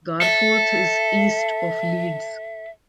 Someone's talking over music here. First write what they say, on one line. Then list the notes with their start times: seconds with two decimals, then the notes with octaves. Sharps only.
Garforth is east of Leeds.
0.21 A4 E5